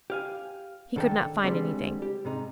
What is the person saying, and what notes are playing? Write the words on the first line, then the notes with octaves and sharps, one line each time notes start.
He could not find anything.
G4 F5 G#5
D3 D#3 A4 F5 G5
D3 G3 G#3 C4 D4 D#4
G4
G#2 C3 D#4